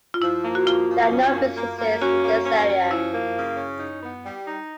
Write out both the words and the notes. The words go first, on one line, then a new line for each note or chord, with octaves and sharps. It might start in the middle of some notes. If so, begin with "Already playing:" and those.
There are no businesses in this area.
F4
F3 E4
A#3
F#4
F3 F4
F3
C#4
A#3
A#3
A#3
C#4 F#4
A#3
C#4
C#4
F3 E4
A#3
C#3
C#4
D#4
B3
G3
D#4